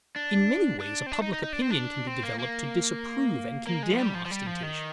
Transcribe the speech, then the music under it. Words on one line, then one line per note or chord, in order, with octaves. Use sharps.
In many ways a public opinion can be developed to disapprove and condemn ostentation.
D4
D4
C4
D4
D#4
D#4
D#4
D4
C4
D4
C4
A#3
A#3
A#3
G#3
F3
G3
F3
F3
G3
F3
D#3